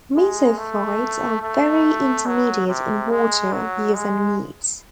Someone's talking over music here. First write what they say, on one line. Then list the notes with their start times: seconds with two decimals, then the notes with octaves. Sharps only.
Mesophytes are very intermediate in water use and needs.
0.15 G#3
0.58 A3
1.42 A3
2.26 F#3
2.68 C3
3.11 G#3
3.53 F#3
3.94 G#3